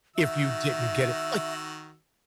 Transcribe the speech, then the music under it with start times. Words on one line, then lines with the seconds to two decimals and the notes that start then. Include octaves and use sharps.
if you didn't get it, like,
0.16 D#3 F#4 E5 E6